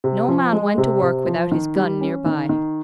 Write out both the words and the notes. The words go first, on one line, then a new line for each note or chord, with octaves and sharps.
No man went to work without his gun near by.
C3
F3
G#3
C3
C3
F3
D#3
G3
C#4
D#3
D#3